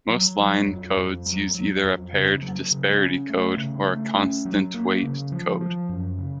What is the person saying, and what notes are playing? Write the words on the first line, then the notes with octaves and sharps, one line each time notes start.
Most line codes use either a paired disparity code or a constant-weight code.
F#3
F#3
F2
F2
F#3
F#3
F2
C#3
F#3
C#3
C#4
A3
C#3
A3
C#4
F#3
A#3
C#3
F3
F3
F#2
C#3